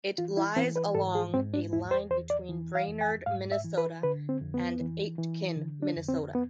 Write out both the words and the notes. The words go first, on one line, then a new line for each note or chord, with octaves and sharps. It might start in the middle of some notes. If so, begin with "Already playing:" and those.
It lies along a line between Brainerd, Minnesota, and Aitkin, Minnesota.
E3 F4
E4
E3 C4
B4
G#2 A4
G#4
G#2 C4
D4
E2 E4
C5
E2 C5
D5
E3
F5
F2
G#5
G#2 F5
E5
E3
B4
D3 B4
C4
F2
B3
E3
E3
D3
D4
F2
C4
B3